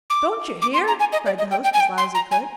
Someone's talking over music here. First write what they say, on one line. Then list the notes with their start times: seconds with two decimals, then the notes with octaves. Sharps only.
'Don't you hear?' cried the host as loud as he could.
0.10 D6
0.62 D6
0.73 C6
0.87 A#5
0.99 G#5
1.12 D#5
1.26 D5
1.38 D#5
1.51 G5
1.64 G5
1.73 G#5
1.80 G5
1.98 C6
2.14 A#5
2.31 G#5